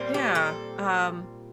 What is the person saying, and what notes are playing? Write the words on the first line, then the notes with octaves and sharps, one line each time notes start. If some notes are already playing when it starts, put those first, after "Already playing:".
Yeah, um
Already playing: A#2 G3 C4
G4
A4